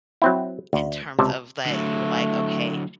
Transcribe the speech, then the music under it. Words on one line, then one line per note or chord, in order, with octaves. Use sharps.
in terms of that you were like, "Okay,
F#3 C4 E4
D2
C#2 C3 A5
D3 F#3 A3